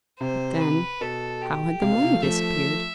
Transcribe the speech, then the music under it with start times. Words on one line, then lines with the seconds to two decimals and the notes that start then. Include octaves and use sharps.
But then--how had the money disappeared?
0.20 C3 C5
0.61 B4
1.01 B2 A4
1.42 G4
1.82 C3 F5
1.92 B2
2.02 C3
2.12 F3 A3
2.23 F3 A3 E5